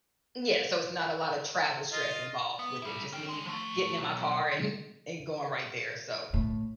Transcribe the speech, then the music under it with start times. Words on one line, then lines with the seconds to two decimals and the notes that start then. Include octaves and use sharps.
Yeah, so it's not a lot of travel stress involved with it. Just me getting in my car and and going right there. So,
1.92 F4 D#5
2.59 B3
2.82 G3 E4
3.13 C#4 G5
3.28 D#3 G#3
3.46 F3 A3
3.97 B1
6.34 A2